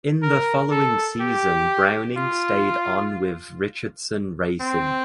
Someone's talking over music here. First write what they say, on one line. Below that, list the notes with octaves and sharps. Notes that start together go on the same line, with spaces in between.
In the following season Browning stayed on with Richardson Racing.
A#4
A4
G4
F4
C4